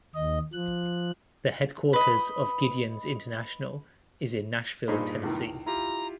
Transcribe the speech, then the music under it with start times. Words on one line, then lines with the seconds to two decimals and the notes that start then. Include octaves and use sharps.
The headquarters of Gideons International is in Nashville, Tennessee.
0.15 D#2 D#5
0.53 F3 F#6
1.93 B4 D#5
4.88 G2 A#2 D#4 G#4 C5 B5
5.23 C#2 D#3 E3
5.66 E4 F4 G4 A#5